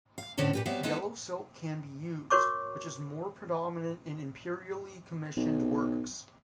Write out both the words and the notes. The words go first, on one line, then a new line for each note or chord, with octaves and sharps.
Yellow silk can be used, which is more predominant in imperially commissioned works.
F5
A2 D3 C4 C#4 A4
A#2 G4 B4
F#3 G3 B3 C4 E5 F5
G#3 B3 D#4 E4 A4
F#4 A#4 C#5 C#6 D6
B1